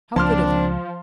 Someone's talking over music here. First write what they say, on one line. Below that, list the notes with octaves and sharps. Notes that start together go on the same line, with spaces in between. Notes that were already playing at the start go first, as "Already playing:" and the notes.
How good of you!
C#2 A#2 F3 C4 D4 A5 C6 F6